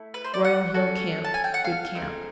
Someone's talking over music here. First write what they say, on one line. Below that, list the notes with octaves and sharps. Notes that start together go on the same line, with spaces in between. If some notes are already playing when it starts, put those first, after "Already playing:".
Royal Hill Camp.--Good camp.
Already playing: A3 E4
B4
C5
D5
F#5
C#4 F#4 A4
A5
G#5
G5
F#5
F5
A3 C4 D#4 G#4